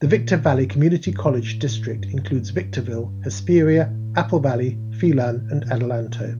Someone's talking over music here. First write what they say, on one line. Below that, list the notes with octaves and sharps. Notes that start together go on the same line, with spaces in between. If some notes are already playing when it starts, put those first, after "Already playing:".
The Victor Valley Community College district includes Victorville, Hesperia, Apple Valley, Phelan and Adelanto.
A2
A#2
G2
G2
A#2
A2
A2
G2
A#2
A2
A#2